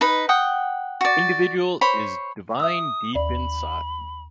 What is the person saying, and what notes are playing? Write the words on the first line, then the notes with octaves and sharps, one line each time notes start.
Individual is divine deep inside.
D#4 B4 B5
F#5 G5 D#6
F#4 D5
C5 C#5 B5
E5 D#6 E6
D#2 D5 B5